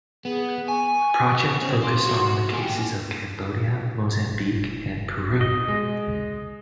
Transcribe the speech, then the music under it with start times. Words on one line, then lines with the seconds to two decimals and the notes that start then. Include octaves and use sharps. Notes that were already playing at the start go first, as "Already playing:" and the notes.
The project focused on the cases of Cambodia, Mozambique and Peru.
0.25 B3 G#4
0.68 G#5 C#6
1.62 C4 C#4
1.82 A#3 C6
2.06 F#3
2.53 A#3 G4 G#5
4.32 F1
5.41 D#5
5.68 G#3